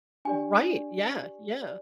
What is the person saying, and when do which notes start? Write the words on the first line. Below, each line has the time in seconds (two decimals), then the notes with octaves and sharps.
Right, yeah, yeah.
0.25 D4 G4 D5 G#5
0.71 D4 G4 D5
1.17 G4 D5
1.62 G4 D5